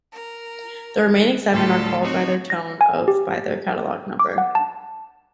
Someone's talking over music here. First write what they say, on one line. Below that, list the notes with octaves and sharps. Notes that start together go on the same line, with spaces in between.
The remaining seven are called by their tone of by their catalog number.
A#4
D2 A2 G3 F4 A4 A5
C4 D#4 F#4 C#5
A#6
G#5
G4
D6
F#5
A5